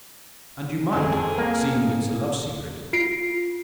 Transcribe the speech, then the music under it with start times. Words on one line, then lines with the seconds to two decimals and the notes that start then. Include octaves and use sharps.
And you might--seeing that it's a love secret!
0.93 F2 G#4 A4
1.38 A#3
2.93 F4 C7 D7